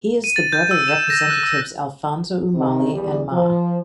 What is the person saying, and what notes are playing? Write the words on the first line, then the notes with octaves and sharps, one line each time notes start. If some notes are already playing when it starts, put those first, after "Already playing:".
He is the brother of Representatives Alfonso Umali and Ma.
D#7
A6
G6
E6
E7
A#6
F#6
E6
C3 D#3 C4
E2 G3
F3